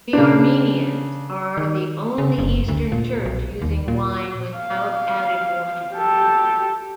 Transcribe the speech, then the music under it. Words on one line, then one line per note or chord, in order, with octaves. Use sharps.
The Armenians are the only Eastern Church using wine without added water.
C#3 D4
D#3
C#3
F#1
D2
A#2
B1
D#2
A#2
F5
G4 A4